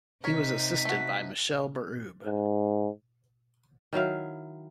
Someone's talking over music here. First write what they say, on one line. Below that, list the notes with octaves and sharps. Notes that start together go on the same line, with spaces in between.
He was assisted by Michelle Berube.
C3 D#4 A#4 C#5 B6
A3 F#4
G#2
D#3 F#3 E4 F5